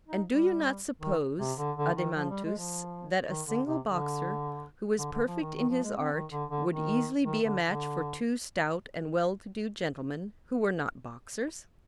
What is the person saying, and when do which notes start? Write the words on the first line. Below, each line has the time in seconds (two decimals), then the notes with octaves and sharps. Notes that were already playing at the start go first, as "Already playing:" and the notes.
And do you not suppose, Adeimantus, that a single boxer who was perfect in his art would easily be a match for two stout and well-to-do gentlemen who were not boxers?
0.08 D#4
0.26 G3
1.01 D#3
1.40 C3
1.58 D3
1.77 D3
1.97 D#3
2.15 F3
2.30 G3
2.44 G#3
2.58 F3
3.28 D#3
3.47 D3
3.66 C3
3.85 D3
4.98 D3
5.12 D3
5.27 F3
5.41 D#3
5.55 D#3
5.69 F3
5.83 G#3
5.97 C4
6.12 D#3
6.31 D3
6.50 D3
6.68 D#3
7.25 D#3
7.44 D3
7.63 D3